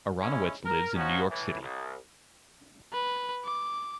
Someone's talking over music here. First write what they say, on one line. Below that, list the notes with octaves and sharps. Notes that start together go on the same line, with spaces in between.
Aronowitz lives in New York City.
A#1 G#3 C#4 E4
A#4
F3 C#4 D#4 F#4
A2 E3
C2
B4
D6